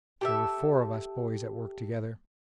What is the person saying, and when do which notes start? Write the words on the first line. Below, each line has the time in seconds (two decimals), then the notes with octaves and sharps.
There were four of us boys at work together.
0.21 G4 A4 E5